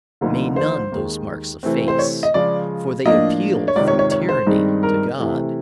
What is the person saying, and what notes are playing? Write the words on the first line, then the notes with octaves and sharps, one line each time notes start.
May none those marks efface! For they appeal from tyranny to God.
D2 D3 F3 A#3 D#4
C5
D#2 D#3 G#3
C3 E3 A3 C4
C5
C#5
D#5
C#3 F3 G#3 D5
A2 F3 A#3 D4 D#5
C#5
C#2 C3 D#3 D5
C#5
C#5
C#5
C5
G2 D#3 G#3 C4 D#4
A#4
C3 E3 A3